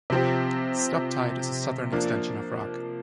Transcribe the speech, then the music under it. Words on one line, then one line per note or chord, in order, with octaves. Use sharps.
Stoptide is a southern extension of Rock.
C3 F3 C4 G4
F3 A#3 D4